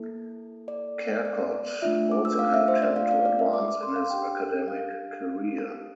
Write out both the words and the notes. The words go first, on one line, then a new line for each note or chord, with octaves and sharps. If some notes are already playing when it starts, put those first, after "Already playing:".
Charcot also helped him to advance in his academic career.
Already playing: A#3 E4 A4
D5
D5
A3 D4 F4 E5
D6
E6
F5
E5
C5
D5
F5
F5
D5
E5
D6
D6
C6
F5
D4 G4 G5
F5